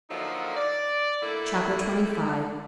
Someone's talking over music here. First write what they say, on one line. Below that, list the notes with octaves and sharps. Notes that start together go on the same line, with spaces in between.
Chapter XXV.
D3 F3 F#3 A3 A#3 D#4
D5
D3 A3 A#3 E4